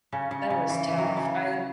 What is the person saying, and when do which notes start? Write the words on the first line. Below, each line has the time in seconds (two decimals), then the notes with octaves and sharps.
That was tough, I l
0.12 C#3 C#4
0.31 C#3
0.50 C#3
0.70 E3
0.88 E3
0.98 F#3
1.07 E3
1.17 C#3